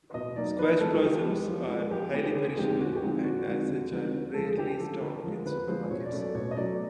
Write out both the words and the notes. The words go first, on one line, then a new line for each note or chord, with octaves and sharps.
Squash blossoms are highly perishable, and as such are rarely stocked in supermarkets.
B2 D#5
F#3 A#3 D#4 D5
F3 B4
G#3 B3 A4
F3 G4
G#3 B3
F3
G#3 B3
F3 G4
G#3 B3 G4
D3 G#4
G#4
F3 G#3 C4 D#4 G4
D3 F#4
G4
F3 G#3 C4 D#4
D3 F#4
F3 G#3 C4 D#4
D3
F3 G#3 C4 D#4
D3
F3 G#3 A4
G#4
D3 G4
F3 G#3 A4
D3 A#4
F3 G#3
D3 B4
F3 G#3 C5
B2 C#5
D5
F#3 A3 C#4
D5
B2 C#5
D#5
F#3 A3 C#4 D5